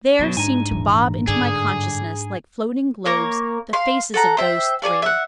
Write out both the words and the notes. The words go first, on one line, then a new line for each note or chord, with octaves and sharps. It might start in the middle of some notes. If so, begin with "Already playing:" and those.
There seemed to bob into my consciousness, like floating globes, the faces of those three.
F#2 B2 D3 F#3
G#2 D4 G#5 A#5
D#1 E3
G2 D3 G#4
A#3 A#4 C#5
F5 C6
A4 F#5 A#5
C5 E5 G5
G#4 A4 D5 F5
E5 F#5